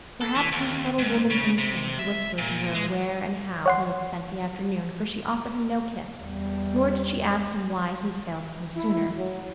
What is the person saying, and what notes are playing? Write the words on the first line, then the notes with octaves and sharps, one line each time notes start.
Perhaps some subtle woman-instinct whispered to her where and how he had spent the afternoon, for she offered him no kiss, nor did she ask him why he had failed to come sooner.
A4
E3
D#2
G#2
C#3
C3
E5
A#2
G#3
C#5 F#5 C6
E2 G3
E4
F#3